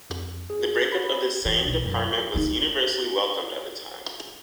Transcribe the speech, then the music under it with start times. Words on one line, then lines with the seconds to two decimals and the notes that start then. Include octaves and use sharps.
The breakup of the Seine department was universally welcomed at the time.
0.10 F2
0.50 G#4
0.92 B5
1.45 E3
1.65 B1
1.85 F#2
2.35 D#4 F4